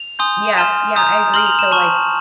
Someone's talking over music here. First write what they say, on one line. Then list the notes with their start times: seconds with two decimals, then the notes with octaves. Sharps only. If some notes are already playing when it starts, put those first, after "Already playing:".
Yeah, yeah, I agree. So, like,
Already playing: F7
0.19 G#5 C6 D#6 G6
0.57 G#5 C6 F6 E7
0.95 A#5 D#6 G6
1.34 C6 F6 F#7
1.46 F7
1.59 E7
1.72 A5 C#6 F6